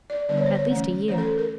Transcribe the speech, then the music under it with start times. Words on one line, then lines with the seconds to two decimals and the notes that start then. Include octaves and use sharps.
"At least a year."
0.10 D5
0.29 D3 G3 B3 D4 D5
0.37 C#5
0.46 C5
0.55 C#5
0.69 E3 A3 C#4
1.08 E3 A3 C#4 C5
1.18 A4
1.38 A#4